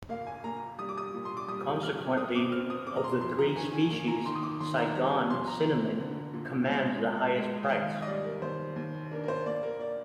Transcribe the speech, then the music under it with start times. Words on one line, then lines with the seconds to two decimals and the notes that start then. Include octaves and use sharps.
Consequently, of the three species, Saigon cinnamon commands the highest price.
0.09 A#3 F5
0.27 G#5
0.44 A#3 A#5
0.78 G3 D#6
0.89 D6
0.97 D#6
1.14 A#2
1.25 C6
1.37 D6
1.47 G3 D#6
1.82 A#2 F6
2.17 C4 D#6
2.35 D6
2.52 C4 F6
2.70 D#6
2.87 C4 D6
2.96 A#5
3.04 C6
3.21 F2 C6
3.39 A#5
3.56 D#3 G#5
3.73 G#5
3.90 A#3 G#5
4.08 A#5
4.26 D#3 C6
4.35 D#6
4.43 D6
4.60 D#2 C6
4.78 A#5
4.95 G3 A#5
5.12 G#5
5.30 F2 C6
5.47 A#5
5.65 C4
6.00 D3
6.34 A#2
6.69 G#3
7.03 A#2
7.37 G#3
7.63 G5
7.72 D#2 F5
8.02 D#5
8.07 G3 D5
8.24 A#4
8.42 D#2 C5
8.76 D#2
9.11 D4 A#4
9.24 A#4
9.28 C5
9.46 A#3 D5
9.63 A#4
9.80 D5